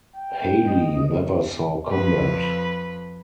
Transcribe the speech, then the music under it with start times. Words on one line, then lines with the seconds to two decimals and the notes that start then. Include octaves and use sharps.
Hawley never saw combat.
0.15 G5
0.65 D#5
1.89 F2 B4